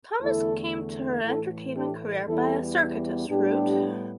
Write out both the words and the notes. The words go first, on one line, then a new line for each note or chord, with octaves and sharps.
Thomas came to her entertainment career by a circuitous route.
E2 D3 A3 E4 A4
A2 E3 A3 E4 A4
D4 G4
E2 E3 G3 B3 E4 A4
A2 G3 B3 D4 G4